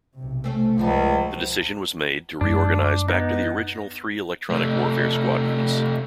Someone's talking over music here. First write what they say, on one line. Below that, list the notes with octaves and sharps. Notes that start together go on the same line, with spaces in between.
The decision was made to reorganize back to the original three electronic warfare squadrons.
B1 C3
A3 C4 C#4
C#2 F#2 C#3 F3 G3
F#2 G#3 D4
B3 D#4
C3 A3